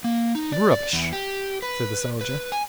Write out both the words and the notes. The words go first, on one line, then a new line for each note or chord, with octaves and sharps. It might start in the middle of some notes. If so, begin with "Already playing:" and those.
"Rubbish!" said the soldier.
A#3
D#4
D5
D5
E2
G4
B4
B4
G#5